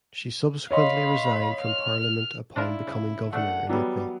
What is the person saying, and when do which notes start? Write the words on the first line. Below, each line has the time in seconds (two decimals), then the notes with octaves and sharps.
She subsequently resigned from parliament upon becoming Governor in April.
0.71 C#5 D#5 F5 B5 C6
1.62 F6
2.56 D4 E4 F4 A#4
2.87 C#3
3.33 A3 D4 F#5
3.69 E3 F#3 G3 B3